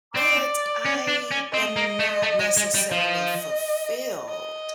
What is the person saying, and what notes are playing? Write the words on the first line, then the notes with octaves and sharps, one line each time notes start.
but I am not necessarily fulfilled.
C4 D5
C#4
D4
C#4
C4 D#5
A#3
A3
A3
G#3
G#3
G3
F3 D#5
D#5